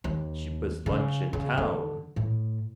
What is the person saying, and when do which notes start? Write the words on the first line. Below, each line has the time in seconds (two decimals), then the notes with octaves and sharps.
Cheapest lunch in town.
0.04 D#2
0.86 C#3
1.33 C#3
1.58 D3
2.16 A2